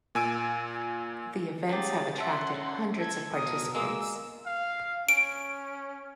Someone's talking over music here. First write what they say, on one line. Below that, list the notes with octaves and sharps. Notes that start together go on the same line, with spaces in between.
The events have attracted hundreds of participants.
A#2 G#5 E6 D7
F#3 C#4 G4 G#4 A6
E5 F#5 A5 C6
A4 G#6
B2 A#4 D#6
G#3 A#3 E6
F5
C#4 D7